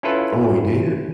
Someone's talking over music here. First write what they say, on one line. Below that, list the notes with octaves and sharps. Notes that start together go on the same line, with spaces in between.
Oh, he did?
C#4 E4 F4 A4 B4